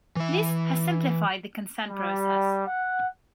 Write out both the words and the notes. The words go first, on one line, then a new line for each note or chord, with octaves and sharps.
This has simplified the consent process.
E3 E5
G3
F#5